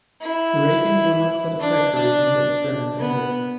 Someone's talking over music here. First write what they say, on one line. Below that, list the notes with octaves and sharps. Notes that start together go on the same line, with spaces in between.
The ratings were not satisfactory, and the experiment ended.
E4
D4
D4
B3